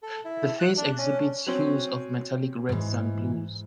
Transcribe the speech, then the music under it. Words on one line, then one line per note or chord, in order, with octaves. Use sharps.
The face exhibits hues of metallic reds and blues.
A4
E4
F#6
D4
C#4
F#3 C4 C#4
G#2 E3